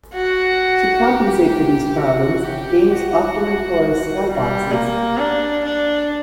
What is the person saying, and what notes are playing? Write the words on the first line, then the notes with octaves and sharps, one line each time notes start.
To compensate for these problems, games often employ skyboxes.
F#4
G4
F#4
G4
F#4
G3
A#3
D4
D4